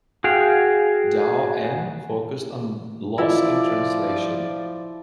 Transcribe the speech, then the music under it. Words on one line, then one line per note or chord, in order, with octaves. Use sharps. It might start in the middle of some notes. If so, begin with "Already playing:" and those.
Dao An focused on loss in translation.
F#4 G#4 F5 G5
F3 E4 F4 D5 D#5